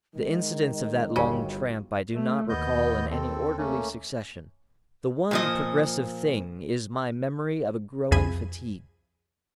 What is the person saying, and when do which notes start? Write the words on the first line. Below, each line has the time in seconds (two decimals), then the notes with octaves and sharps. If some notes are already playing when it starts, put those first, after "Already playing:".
The incidents of that long tramp I do not recall in any orderly succession, the one progressive thing is my memory of a growing fatigue.
0.14 D#3 G#3
1.16 G1 C#3 G3 F#4 F5
2.13 A3
2.49 D#2 B3 D#5 G6
3.11 C4 A4
3.58 A3 A#3 C#4
5.31 A#2 F3 D#5
8.11 C2 F2 G#4 G#5 B5 D#7